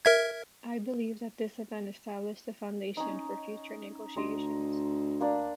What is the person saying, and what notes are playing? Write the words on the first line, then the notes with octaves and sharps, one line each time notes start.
I believe that this event established the foundation for future negotiations.
A#4 E5 G#6
C#4 D#4
D2 D#5 C6
A#3 D4 D5